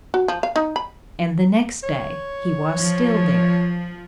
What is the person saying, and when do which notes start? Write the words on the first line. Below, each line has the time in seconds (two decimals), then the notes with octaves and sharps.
And the next day he was still there.
0.14 F#4
0.28 F3
0.43 F5
0.56 D#4
0.76 B5
1.83 C#5
2.76 F3